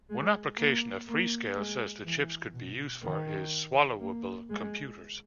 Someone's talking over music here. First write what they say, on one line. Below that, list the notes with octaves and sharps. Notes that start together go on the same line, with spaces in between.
One application that Freescale says the chips could be used for is swallowable computers.
G#3
A#3
A#3
G#3
E3
B2
D#3
A#3
G#3